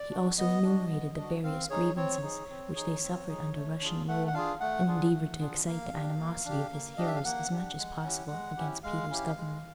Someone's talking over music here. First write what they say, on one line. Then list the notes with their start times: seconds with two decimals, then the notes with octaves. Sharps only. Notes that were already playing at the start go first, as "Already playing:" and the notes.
He also enumerated the various grievances which they suffered under Russian rule, and endeavored to excite the animosity of his hearers as much as possible against Peter's government.
Already playing: D5
0.11 D4 F#4
0.38 B3 D#5
0.64 D4 F#4
0.90 B3
1.17 D4
1.22 F#4
1.43 C4 F5
1.70 D#4 G#4 C#5
1.96 C4 C#5
2.22 D#4 G#4
2.50 C4
2.75 D#4 G#4
3.03 C4
3.29 D#4 G#4
3.54 A3
3.81 D4 F4 G#4
4.08 A3 F#5
4.27 F#5
4.34 D4 F4 G#4 F5
4.60 A3 F#5
4.87 D4 F4 G#4
5.14 A3
5.40 D4 F4 G#4
5.66 A#3 F5
5.93 D4 G4
6.19 A#3
6.45 D4 G4
6.73 A#3
6.97 D4 G4 D#5
7.06 E5
7.16 F5
7.24 A#3 F#5
7.51 D4 G4
7.78 G#3
8.04 C#4 E4 G4
8.31 G#3
8.57 C#4 E4 G4
8.83 G#3 F5
9.10 C#4 E4 G4
9.37 G#3